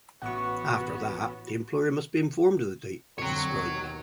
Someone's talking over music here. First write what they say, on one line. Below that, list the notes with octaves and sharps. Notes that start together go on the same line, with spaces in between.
After that, the employer must be informed of the date of the strike.
A1 B3 F#4 F#5 C#6
F2 D3 C4 F#4 C#5
D#2 B2 D#3